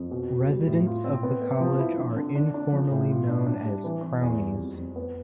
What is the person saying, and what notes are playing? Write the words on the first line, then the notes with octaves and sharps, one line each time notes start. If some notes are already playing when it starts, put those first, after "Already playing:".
Residents of the college are informally known as Crownies.
Already playing: F2
B2
B2
G3
A2
F4
C4
B3
B3
F3
E4
D3
D3
D4
D4
F3
A2
F4
D4
D4
G3
E3
E3
E2
G3
F2
F2
B3